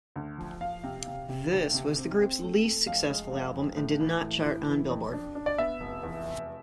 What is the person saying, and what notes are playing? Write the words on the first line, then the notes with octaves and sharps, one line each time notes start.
This was the group's least successful album and did not chart on "Billboard".
D2
F3
F3 F5
C3
C3
C3
D2
C3
C4
C4
A3
A3
F2 F5
G#3
F2
F2
A2
E3
A2
E4
E3
F2
D4
D4
D5
B3 E5
F1
E2
F1